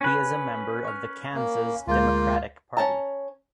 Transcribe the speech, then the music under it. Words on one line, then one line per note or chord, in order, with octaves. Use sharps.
He is a member of the Kansas Democratic Party.
C#4 B4
C#6 F6
A#3
D2 G#3 A#3 F4 G6
C#4 A5 A#5